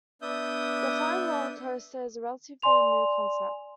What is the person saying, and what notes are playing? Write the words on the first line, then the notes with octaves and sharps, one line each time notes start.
The flying roller coaster is a relatively new concept.
B3 D4 E5 D#6 G6
D5 G#5 C6 F7